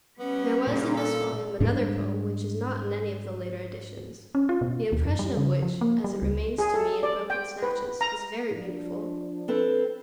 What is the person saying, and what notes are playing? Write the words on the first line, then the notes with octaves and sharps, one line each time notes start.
There was in this volume another poem which is not in any of the later editions, the impression of which, as it remains to me in broken snatches, is very beautiful.
G3 B3 C#4
A#2 C#3
A4
G#2 G3 G#3 D4
C#4
F4
B2
D#2
F#2
G3
C#3
F3
A#3
G3
C#2
G#4
A4
D5
G5
B4
A#5
F3 D4
C4 A4 B4